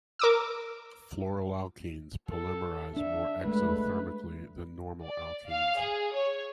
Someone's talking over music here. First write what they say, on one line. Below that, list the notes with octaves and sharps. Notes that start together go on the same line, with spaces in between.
Fluoroalkenes polymerize more exothermically than normal alkenes.
A#4 D6 E6
A4
D4 E5
G#3 A3 B4
D5
F5
G#4
C#5